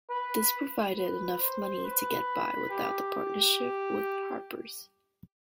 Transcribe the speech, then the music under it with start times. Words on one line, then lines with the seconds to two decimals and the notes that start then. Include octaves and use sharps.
This provided enough money to get by without the partnership with "Harper's".
0.10 B4
0.97 B4
1.40 C5
1.84 B4
2.71 G4